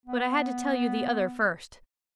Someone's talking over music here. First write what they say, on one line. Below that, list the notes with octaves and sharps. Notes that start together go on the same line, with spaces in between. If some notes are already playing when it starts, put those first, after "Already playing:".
But I had to tell you the other first.
B3